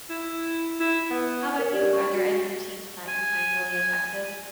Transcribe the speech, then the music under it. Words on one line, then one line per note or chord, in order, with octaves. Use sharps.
How ‘bout you? Are there any routines that you find really effective?
E4
E4
B3
A#4
G4 D5 G#6
C#6
F#4
G#5